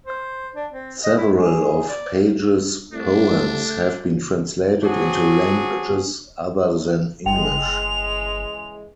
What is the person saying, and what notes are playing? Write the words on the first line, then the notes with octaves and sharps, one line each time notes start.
Several of Page's poems have been translated into languages other than English.
C5
D4
C4
D#5
E4
G#4
D5
C2 A3 D4
F#3 C4 D4 F#4 G#4
G1 C#3 E3 G#3 G5 F7